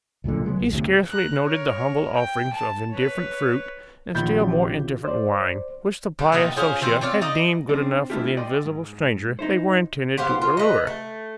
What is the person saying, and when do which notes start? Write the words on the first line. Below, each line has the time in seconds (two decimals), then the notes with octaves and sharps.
He scarcely noted the humble offerings of indifferent fruit, and still more indifferent wine, which the pious Sosia had deemed good enough for the invisible stranger they were intended to allure.
0.24 C2 F#2 A#2 D3
0.45 C#3 F#3 G#3 B3
0.59 A#1
0.72 D2 A2 C3
1.10 A#5 F#6
1.42 A#4 C#5
2.15 G5
2.52 A5
2.90 B4 C#5
4.15 A#1 D#3 F4 B5 G6
4.35 C#4 F#4 G4
5.05 C5 D5
6.19 G3 D4
6.32 A#2 G3 B3 D#4
6.56 C#4 F4 G#4 C5
6.81 E3 C4 C5
7.01 C4 C#5 D5 F5
7.21 D#4 D5 D#5
7.69 C4 D4
8.10 G#3 A3 D4 E4 F4 G4
8.37 D5 D#5 G5 C6
8.65 G#2
9.39 D#4 E4 C5
10.17 B3 G4 C5 F5
10.42 F4
10.57 B4 D#5
10.87 A3